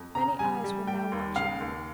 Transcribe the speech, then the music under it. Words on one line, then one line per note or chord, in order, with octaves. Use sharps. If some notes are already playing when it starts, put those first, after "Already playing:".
Many eyes were now watching him.
Already playing: F2
C#3 A#5
G3 G#5
G3
G3 G5
D#2
C#3 F5
D#2